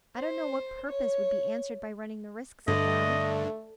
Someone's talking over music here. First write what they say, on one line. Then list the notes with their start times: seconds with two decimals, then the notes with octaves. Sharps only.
'I don't know what purpose would be answered by running the risk,' said Guy.
0.17 C5
0.88 C#5
2.68 G2 D3 A3 D#5